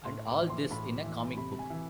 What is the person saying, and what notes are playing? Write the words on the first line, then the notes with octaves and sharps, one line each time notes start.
And all this in a comic book!
A2 C6
D6
E3
C6
A2 B5
E3
C3 B5
G#5
E3